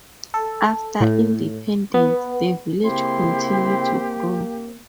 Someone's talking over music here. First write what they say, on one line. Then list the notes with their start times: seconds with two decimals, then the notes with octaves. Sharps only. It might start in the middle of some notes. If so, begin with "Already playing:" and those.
After independence, the village continued to grow.
0.34 A4
1.01 A2
1.94 B3
2.85 C#3 A#3 C4 E4 G4 C6